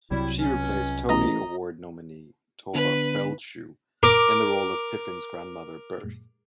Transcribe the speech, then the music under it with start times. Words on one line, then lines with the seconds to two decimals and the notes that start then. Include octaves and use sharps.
She replaced Tony award nominee Tovah Feldshuh in the role of Pippin's grandmother Berthe.
0.11 C2 C3 F#3 G3 E4
0.39 C#2 C#4
1.09 A1 D#5 A#5
2.74 D3 B3 D4 B4
4.03 A#4 D6